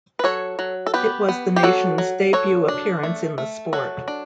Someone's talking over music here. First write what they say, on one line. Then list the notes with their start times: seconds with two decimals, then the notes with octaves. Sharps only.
It was the nation's debut appearance in the sport.
0.19 B4
0.24 F#3 A4 C#5
0.59 F#3
0.87 A4
0.94 B3 G4 B4
1.29 B3
1.56 G4
1.63 F#3 F#4 A4
1.98 F#3
2.33 F#3 A4 C#5
2.68 D4
3.03 A3
3.38 A3
3.73 F#3 F#4 A4
4.08 D4